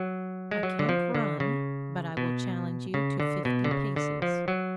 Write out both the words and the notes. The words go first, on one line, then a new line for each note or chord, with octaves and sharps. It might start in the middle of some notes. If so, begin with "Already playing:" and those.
"I can't run; but I will challenge you to fifty paces."
Already playing: F#3
G#3
F#3
D3
F3
D3
C#3
B2
C#3
D3
B2
D3
C#3
D3
F3
F#3